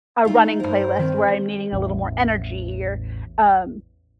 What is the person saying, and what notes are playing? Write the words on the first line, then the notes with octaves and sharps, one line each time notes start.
a running playlist where I'm needing a little more energy or, um
A3 D#4 F4
G2 A#4 C5
D#3 C4
A1 E2